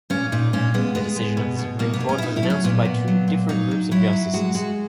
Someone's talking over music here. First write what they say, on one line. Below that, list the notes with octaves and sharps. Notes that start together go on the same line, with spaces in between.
The decision of the Supreme Court was announced by two different groups of Justices.
A#2 C#4
A#2 D#4
A#2 C#4
G#3 B3
G#3 B3
G#3
B2
B2
B2 A#3
B3
B2
C#4
E4
B2 D#4
E4
F#3
C#4
A#2 B3
A#2
F#3
A#2
F#3 D#4
F#3
F#3 E4
F#3
G#3 F#4
G#3 F#4